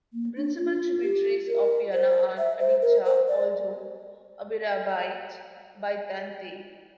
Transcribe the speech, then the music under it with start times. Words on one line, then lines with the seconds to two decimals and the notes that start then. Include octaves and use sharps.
The principal tributaries of the Yana are: Adycha, Oldzho, Abyrabyt, Bytantay.
0.13 A#3
0.36 D4
0.58 F4
1.03 G4
1.48 A#4
1.92 C5
2.38 E5
2.59 C5
2.82 A#4
3.05 C5
3.28 D5